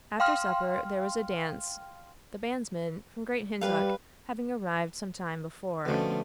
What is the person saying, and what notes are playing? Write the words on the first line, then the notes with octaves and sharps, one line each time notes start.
After supper there was a dance, the bandsmen from Great Hintock having arrived some time before.
F5 G5 C6 F6
G3 B4 F5
B2 D3 F3 A3 C#4